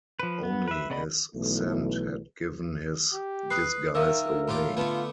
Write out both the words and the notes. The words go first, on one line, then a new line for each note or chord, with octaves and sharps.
Only his scent had given his disguise away.
F3 B4
B3
B4 E5
C#3 B3 D5 D#5 B5
B1 E3 A3
G4
B4 D#6 F#6 C7
D#3 A#4 E5 F5 E6
A2 F4 D6
D3 A3 B3 F4